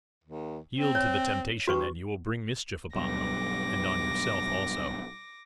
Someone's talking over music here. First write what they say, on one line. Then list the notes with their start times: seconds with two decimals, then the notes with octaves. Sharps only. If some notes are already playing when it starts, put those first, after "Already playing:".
"Yield to the temptation and you will bring mischief upon them--and on yourself also."
0.24 D#2
0.75 C4
0.95 C#5
1.68 G2 F#4 B4 C#6
2.96 B1 G2 D6 A#6